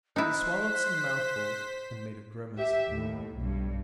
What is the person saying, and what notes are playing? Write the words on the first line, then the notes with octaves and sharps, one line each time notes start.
He swallowed some mouthfuls and made a grimace.
D#4 E4 C5 F#6 B6
G4 E5
D#2 A2
B1 G2